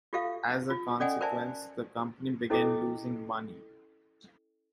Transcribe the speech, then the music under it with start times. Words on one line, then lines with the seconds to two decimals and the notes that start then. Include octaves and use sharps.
As a consequence, the company began losing money.
0.13 F4 G4 A4 E5 F5
0.70 F4
1.00 C#4 A4 D5 D#5 F#5 G#5
1.21 A#4 C5 D5 E5 G#5 A5
2.50 C#4 E4 A4 D#5 G5 D6